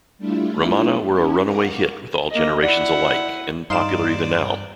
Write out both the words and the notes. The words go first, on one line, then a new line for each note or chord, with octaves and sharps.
Ramana were a runaway hit with all generations alike and popular even now.
G3 A3 D4 E4 F4
C#4 E4
A#4 F5 F#5 C#6 D6
A#3 D#5
E4 D5 F#5
G2 D#4 D5 F5 C6 E7